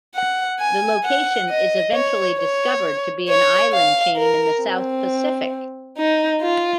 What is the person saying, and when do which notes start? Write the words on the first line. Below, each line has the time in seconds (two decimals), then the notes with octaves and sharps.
The location is eventually discovered to be an island chain in the South Pacific.
0.14 F#5
0.60 G#5
1.04 F#5
1.49 D#5
1.94 C#5
2.39 C#5
3.28 C#5
3.73 F5
4.18 A#4
4.63 C4
5.97 D#4
6.41 F4